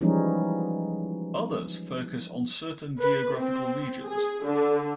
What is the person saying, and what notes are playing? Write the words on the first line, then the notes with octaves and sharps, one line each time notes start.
Others focus on certain geographical regions.
E3 F3 G3 G#3 C#4 D#4
B4
C4
G#4
D3